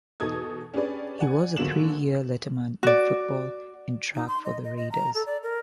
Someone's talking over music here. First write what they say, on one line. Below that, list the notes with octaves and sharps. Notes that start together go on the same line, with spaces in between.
He was a three-year letterman in Football and Track for the Raiders.
E2 B2 D#4 A4 D#6 G#6
C#4 D4 G4 G#4 B4 D5
D5 F#5 G#5
A#1 D3 F#3 A#3 E7 F#7
F#4 D5
D#4
C6
D#5
D#5
D#5
A#5
A4
D5
A#4